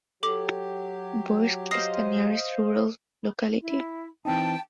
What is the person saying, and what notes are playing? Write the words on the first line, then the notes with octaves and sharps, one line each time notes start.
Birsk is the nearest rural locality.
F#3 G4 A4 D6
C5 D#5 F5 D#6 A#6 C7
E4
E3 C4 D#4 G5 A5